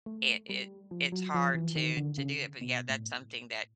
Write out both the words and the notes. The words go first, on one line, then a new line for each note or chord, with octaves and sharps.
it it it's hard to to do it. But, yeah, that's something that
A3
G3
F3
F#3
F3
E3
D#3
D3
C#3
B2
A2